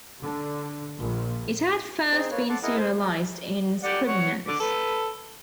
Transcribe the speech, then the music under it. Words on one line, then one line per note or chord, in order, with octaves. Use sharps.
It had first been serialized in Scribner's.
D3
A#1
C4 D#4 G#4 C6
A#3 B4 C#5
A4 F#5 A5 C6 D6
E4 G#4 A#4 D#5 F#5
C5
G4 D5 F#5
C#5 F#5
D3 D6
A4 B4